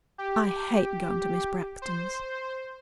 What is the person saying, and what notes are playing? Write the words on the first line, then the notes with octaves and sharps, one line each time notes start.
"I hate going to Miss Braxton's."
G4
C5